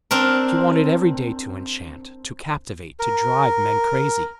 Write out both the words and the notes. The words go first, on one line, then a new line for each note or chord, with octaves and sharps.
She wanted every day to enchant, to captivate, to drive men crazy.
C4 D4 A#4
A#4